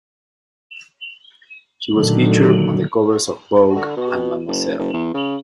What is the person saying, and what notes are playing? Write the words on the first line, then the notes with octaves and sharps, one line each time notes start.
She was featured on the covers of "Vogue" and "Mademoiselle".
A#2 D3 D#3 F#3 A3
D3
B2
F#1
F#1
E2
C#3